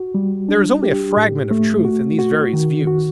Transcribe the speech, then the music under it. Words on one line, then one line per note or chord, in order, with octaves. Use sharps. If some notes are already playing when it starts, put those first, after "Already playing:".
There is only a fragment of truth in these various views.
Already playing: F#4
G3
D4
G4
A2
A3
F#4
F#4
D#3
F#4